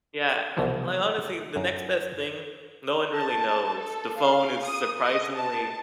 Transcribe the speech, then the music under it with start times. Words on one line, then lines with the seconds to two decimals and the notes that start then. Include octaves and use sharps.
Yeah, e like, honestly, the next best thing, no one really knows. The phone is surprisingly
0.57 C2 B2 E3 F3 G3
1.56 F#2 A#5
3.17 A5
3.80 A4
4.20 F5
4.64 D#6
5.01 D#5
5.36 A5